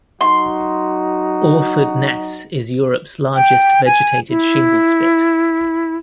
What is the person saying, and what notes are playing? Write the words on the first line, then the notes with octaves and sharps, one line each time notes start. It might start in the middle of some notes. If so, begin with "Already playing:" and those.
Orford Ness is Europe's largest vegetated shingle spit.
F#3 D#4 F#4 C6
G5
G#5
E4